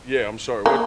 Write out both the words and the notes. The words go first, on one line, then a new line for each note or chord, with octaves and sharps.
Yeah, I'm sorry, what?
A#3